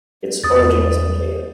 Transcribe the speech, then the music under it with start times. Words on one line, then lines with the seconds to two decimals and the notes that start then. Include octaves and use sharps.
Its origin is unclear.
0.44 E2 D#6 A6